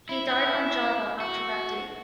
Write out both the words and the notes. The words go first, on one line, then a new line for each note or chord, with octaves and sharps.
He died on Java after that date.
E4
E4
F#4